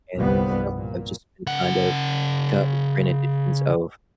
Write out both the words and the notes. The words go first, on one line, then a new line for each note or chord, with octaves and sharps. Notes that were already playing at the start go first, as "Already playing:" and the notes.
and stuff have just been kind of become re-editions of,
G1 C2 F3 G3 B3
A#2
C#3 F#5